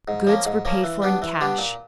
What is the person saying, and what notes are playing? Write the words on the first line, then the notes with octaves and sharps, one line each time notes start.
Goods were paid for in cash.
G#2
F3 A#3 C#4
G#2
F3 A#3 C#4
E3
G3 B3 D4
E3
G3 B3 D4
A#2